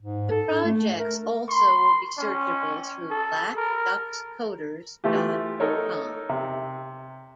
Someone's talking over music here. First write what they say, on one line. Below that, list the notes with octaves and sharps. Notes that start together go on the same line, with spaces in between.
The projects also will be searchable through Black Duck's Koders dot com.
G#2
A4
D4
A3
A#4
C6
C#4
A4
A#4
E3 A3 F4 G4
D#4 A4 A#4 C#5
C3